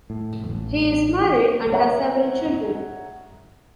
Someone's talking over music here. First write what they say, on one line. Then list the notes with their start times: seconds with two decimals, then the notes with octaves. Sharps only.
He is married and has several children.
0.10 A2
0.50 A1
1.72 C#5 E5 F#5 A#5